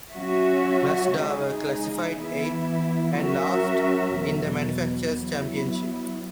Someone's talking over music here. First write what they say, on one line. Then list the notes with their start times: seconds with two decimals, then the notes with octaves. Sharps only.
Mazda were classified eighth, and last, in the manufacturer's championship.
0.15 F#3 C#4 F#4 C#5 E5
1.16 C#3 G#3 D#4 G#4
2.18 E3 B3 E4
3.18 F#3 C#4 F#4 A#4 E5
4.18 E2 B2 F#3
5.19 F#3 B3 E4